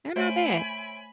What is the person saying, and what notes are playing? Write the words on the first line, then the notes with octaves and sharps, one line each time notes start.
they're not bad.
A3 C5 C#5 E5 G#5 B5 D7